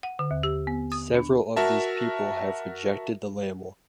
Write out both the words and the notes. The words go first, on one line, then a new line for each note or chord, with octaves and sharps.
Several of these people have rejected the label.
F#5
D3
D#2
G4
B3
D#6
D4
F#4 A#4 E5 A5